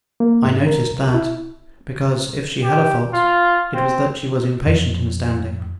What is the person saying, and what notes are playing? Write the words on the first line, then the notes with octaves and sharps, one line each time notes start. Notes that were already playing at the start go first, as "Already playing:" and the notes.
I noticed that, because, if she had a fault, it was that she was impatient in standing.
A#3
G#2
A#4
C2
E4
G4
F4
C4
F2